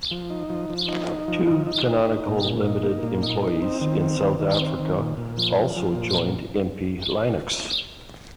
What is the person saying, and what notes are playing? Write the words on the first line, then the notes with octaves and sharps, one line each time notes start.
Two Canonical Limited employees in South Africa also joined Impi Linux.
F3
D#4
F3
F3
D#4
D#4
F3
D#4
D#4
D#4
D#4
A#2
A#2
D#4
A#3
A#2
D#4
D#4
C4
D#3
C4
D#3
D#3
C4
D#3
A#2
A#2
F3
F3
F3
A#2